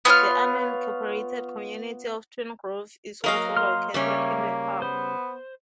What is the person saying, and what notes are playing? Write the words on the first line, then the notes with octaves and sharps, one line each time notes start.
The unincorporated community of Twin Grove is also located in the town.
B3 F4 C#5 F6
F#3 A#3 A#4 D#5 F5
C6 F6
C#3 G3 A#3 C#4 E5
B3 C5